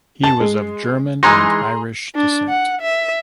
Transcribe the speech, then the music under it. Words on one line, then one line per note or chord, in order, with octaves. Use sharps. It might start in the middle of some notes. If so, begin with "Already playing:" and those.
He was of German and Irish descent.
A5
G#3
E3 G#3 D#4 G#4 A#5 C6
D4
F#5
E5